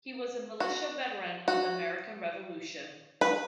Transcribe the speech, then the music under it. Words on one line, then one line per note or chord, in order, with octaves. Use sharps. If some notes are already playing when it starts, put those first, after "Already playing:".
He was a militia veteran of the American Revolution.
F#4
F#4
B4